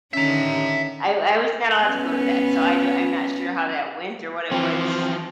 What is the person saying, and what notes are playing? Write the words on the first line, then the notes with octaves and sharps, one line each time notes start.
I I was not allowed to go to that, so I do I'm not sure how that went, or what it was
D3 D#3 C#4 E5 A#5
B3 C#4
E3 F3 C4